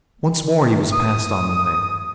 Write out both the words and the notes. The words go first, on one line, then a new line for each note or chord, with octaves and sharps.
Once more he was passed on the way.
D#6